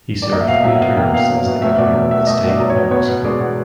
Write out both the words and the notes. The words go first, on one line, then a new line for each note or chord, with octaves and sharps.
He served three terms as the governor of the state of New Mexico.
D5
A#3 D#5
E5
B2 F5
D#5
F#3 E5
F#5
B2 F5
A#3 G5
F#5
B2 F5
F#5
F#3
B2
A3 E5
B2 D5
F#3
B2 E5
A3 D#5
B2 D5
F#3
C#5
B2
B3 C#5
B2
G#3 D5
B2